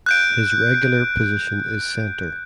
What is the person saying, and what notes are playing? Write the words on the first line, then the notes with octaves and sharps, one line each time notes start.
His regular position is centre.
F#6 G6 D7